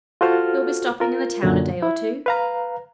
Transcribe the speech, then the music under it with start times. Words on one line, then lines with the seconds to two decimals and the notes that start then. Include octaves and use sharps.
You'll be stopping in the town a day or two?
0.21 F4 F#4 A4 C5 F6
1.00 F4 A#4
1.43 F#2 A#2 D3 F#3
1.82 E4
2.26 B4 F5 A#5